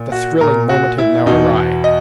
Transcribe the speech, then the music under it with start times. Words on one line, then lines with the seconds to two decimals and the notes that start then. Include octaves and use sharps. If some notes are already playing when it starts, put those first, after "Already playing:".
The thrilling moment had now arrived.
Already playing: A#2
0.12 F#4
0.41 A#2 A#4
0.69 F#4
0.98 E4
1.26 E2 B2 D#4
1.84 D#5